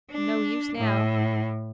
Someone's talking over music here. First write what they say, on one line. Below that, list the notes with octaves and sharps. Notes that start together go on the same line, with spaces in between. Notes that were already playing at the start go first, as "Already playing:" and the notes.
No use now.
D4
A2